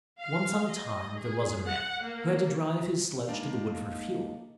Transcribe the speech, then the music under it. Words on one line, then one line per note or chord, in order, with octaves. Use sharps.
Once on a time there was a man, who had to drive his sledge to the wood for fuel.
F5
D#5
G#4
F#5
A#3
G#3 A#3 C4 D4 D#4 F5